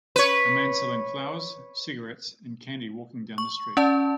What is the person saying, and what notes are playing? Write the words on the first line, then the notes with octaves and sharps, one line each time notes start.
A man selling flowers, cigarettes, and candy walking down the street.
B4 C#5
C#6
C#4 D5 A5